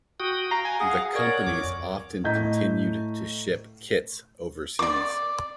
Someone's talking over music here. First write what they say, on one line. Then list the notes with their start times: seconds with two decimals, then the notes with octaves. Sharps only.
The companies often continued to ship "kits" overseas.
0.20 F#4 G5 D#6
0.51 F5 A#5
0.65 G#5
0.80 G#4 F#5
1.15 A#4 C#5 D5
1.47 F2 D6
2.24 A2 D#5 A#5 G6 B6
4.79 D5 D6